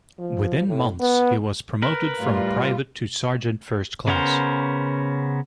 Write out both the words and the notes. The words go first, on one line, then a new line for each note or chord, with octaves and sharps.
Within months, he was promoted from private to sergeant first class.
F3
A2
B3
A#4 B4
A2 G3 F4
C#3 B3 C#4 A#4 C5